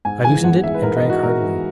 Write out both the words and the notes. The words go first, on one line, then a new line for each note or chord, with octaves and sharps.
I loosened it and drank heartily.
G#2 G#5
E3 G#3 G#5
G#2 F#5
E3 G#3 E5
B4
G#2 A#4
D#5
E3 G#3
F#4
G#2 A#4
E3 G#3